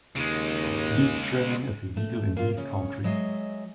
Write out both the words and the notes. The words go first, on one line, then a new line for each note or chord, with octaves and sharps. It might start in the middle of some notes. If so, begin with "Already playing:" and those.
Beak trimming is illegal in these countries.
D#2 C#3 G#3
A3
A#3 F4
C#3 C#4
F#3 G#3 D#5 E5